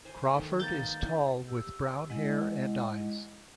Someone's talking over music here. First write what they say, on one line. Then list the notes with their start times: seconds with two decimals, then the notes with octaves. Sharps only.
Crawford is tall with brown hair and eyes.
0.05 C5 G#5
0.33 D#3 A3
0.60 G#3 A#3 B3 G6 A6
1.00 D4 E4
1.48 G4 E6
2.10 G#3 E4 D#5 F#5